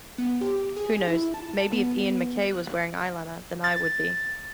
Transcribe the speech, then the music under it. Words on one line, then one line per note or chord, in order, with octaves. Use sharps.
Who knows, maybe if Ian MacKaye was wearing eyeliner then I would be.
B3
G4
G#4
E4
A5
A5
B3
F#6
A6